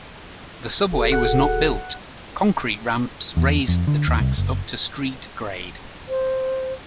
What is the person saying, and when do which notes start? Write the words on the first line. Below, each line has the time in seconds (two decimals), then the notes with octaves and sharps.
The subway was not built, concrete ramps raised the tracks up to street grade.
0.92 D#1 F#4 G#4 A4
1.12 F#5
3.37 E2
3.68 F2
3.87 D3
4.08 D#2
4.20 C2
4.38 F#1
6.09 C5